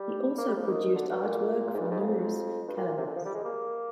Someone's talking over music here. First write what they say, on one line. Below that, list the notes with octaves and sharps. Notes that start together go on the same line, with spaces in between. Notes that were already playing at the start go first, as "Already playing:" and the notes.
He also produced artwork for numerous calendars.
Already playing: G3
A#3
G3
F3
D#3
D3
G2
A#2
A#2
G#2
G2
G#2
F2
G2
A#2
A#2
C3
D3
F3
G3
G#3
A#3